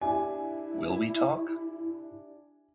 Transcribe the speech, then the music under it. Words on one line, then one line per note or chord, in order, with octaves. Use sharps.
Will We Talk?
D4 E4 G4 E5 G#5